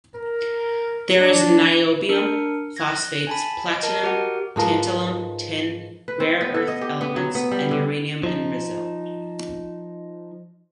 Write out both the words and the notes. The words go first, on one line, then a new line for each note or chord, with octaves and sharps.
There is niobium, phosphates, platinum, tantalum, tin, rare earth elements, and uranium in Brazil.
A#4
D4
D4 A#4 C#7
F#6 G#6 A#6
G#5 A5 B5
D#5 D7
A#4 D#5 A5
F#4 G4 A#4 F#5
G#2 F3 A#4 B4
B4
C4
B3
A4
D#5
G4
B3
F#3
B3
G3
D3
F3 D#4